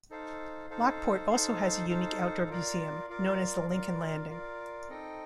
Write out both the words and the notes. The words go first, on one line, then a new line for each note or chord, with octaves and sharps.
Lockport also has a unique outdoor museum known as the Lincoln Landing.
D#4 A4 C5 F5
D#4 A4 C5 F5
D#4 A4 C5 F5
D#4 A4 C5 F5
F4 A#4 D5 F5
F4 A#4 D5 F5
F4 A#4 D5 F5
F4 A#4 D5 F5
C4 D#4 A4 D#5 G5